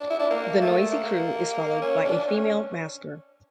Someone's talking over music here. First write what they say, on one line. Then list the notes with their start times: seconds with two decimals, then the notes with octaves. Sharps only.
The noisy crew is followed by a female masker.
0.01 D4
0.10 E4
0.19 D4
0.30 A#3
0.61 A3
0.92 A#3
1.82 C#4
2.05 D4
2.27 C#4